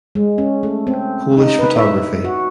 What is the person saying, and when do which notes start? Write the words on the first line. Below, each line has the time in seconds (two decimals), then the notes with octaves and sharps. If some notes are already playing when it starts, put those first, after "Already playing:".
Polish photography.
0.15 G#3
0.38 C#4
0.63 A3
0.87 C4
1.37 D#4
1.59 B4
1.76 E5
2.24 F#4